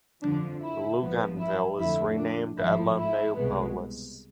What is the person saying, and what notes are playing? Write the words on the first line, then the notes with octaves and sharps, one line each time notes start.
Luganville is renamed Allonneaupolis.
F2 D3 F3 D4
E4
G#1 G#2 F3 B3
E4
F2 D3 A3 E4
D4
G#1 G#2 F3 E4
E4
C2 B2 G#3 B3